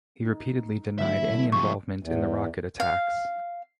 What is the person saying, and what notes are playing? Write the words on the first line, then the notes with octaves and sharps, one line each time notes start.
He repeatedly denied any involvement in the rocket attacks.
D#4
D3 F#3 A3 E4 E5
C3 F3 C#6
E2
F5